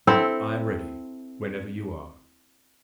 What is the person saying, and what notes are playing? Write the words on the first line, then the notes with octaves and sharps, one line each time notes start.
"I am ready, whenever you are."
C4 E4 A4